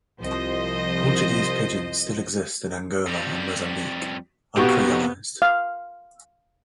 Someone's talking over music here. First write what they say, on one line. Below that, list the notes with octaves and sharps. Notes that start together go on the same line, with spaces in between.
Portuguese pidgins still exist in Angola and Mozambique, uncreolized.
C2 F3 C5 D#5
F2 G3
B1 C3 A#3 B3 F#4 G4 C#6
F5